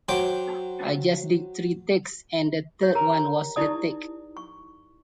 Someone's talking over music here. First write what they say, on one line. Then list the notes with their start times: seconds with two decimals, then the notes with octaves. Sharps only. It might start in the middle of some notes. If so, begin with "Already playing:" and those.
I just did three takes and the third one was the take.
0.09 F#3 C5 G5 D6
2.81 G4 C#5
2.95 G4 A#4 A#5
3.56 D#4 E4 G4 D5 A5 D#6
4.37 C#6